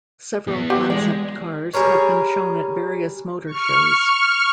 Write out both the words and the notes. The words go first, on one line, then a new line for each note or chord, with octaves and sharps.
Several concept cars have been shown at various motor shows.
E3 B3
G4 C5 F#5
G#3 D5
G3 G#4 A#4 C#5
C#6 F6